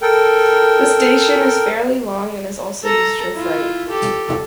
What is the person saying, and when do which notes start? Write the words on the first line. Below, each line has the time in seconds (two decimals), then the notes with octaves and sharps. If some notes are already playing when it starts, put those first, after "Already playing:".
The station is fairly long and is also used for freight.
0.02 A4 A#4 G5
2.83 A4 A#5
3.34 E4 F4
3.88 G4 A4